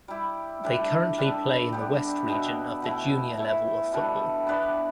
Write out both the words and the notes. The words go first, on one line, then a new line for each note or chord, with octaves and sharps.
They currently play in the West Region of the Junior level of football.
G3 E4 G4
A2 G3 D4 G4
G3 D4 A4 E5
D3 G3 B3 G4
B2 B3 G4 E5
B2 A3 E4
E3 A3 E4
B2 G3 D4 A4
B3 D4 B4 D5